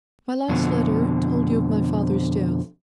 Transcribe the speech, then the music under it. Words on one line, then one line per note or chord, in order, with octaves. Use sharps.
My last letter told you of my father's death.
F2 B2 D3